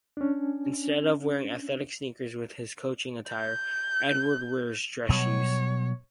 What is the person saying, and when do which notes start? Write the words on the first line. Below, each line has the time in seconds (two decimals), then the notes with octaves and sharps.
Instead of wearing athletic sneakers with his coaching attire, Edwards wears dress shoes.
0.17 C#4 D4
3.29 G6
5.09 B2 F#3 G3 C#5